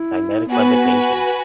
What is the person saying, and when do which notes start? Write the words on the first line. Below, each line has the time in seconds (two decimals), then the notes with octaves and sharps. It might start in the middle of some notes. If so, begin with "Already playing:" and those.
Magnetic levitation.
Already playing: E4
0.49 B3 F#4 B4 G#5